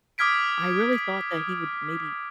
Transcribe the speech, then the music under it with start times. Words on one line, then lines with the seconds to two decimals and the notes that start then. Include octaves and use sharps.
I really thought that he would maybe,
0.18 D6 D#6 F6 G#6 B6 D7